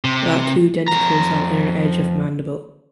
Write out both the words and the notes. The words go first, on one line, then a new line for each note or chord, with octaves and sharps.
There are two denticles on inner edge of mandible.
C3
F2 A#5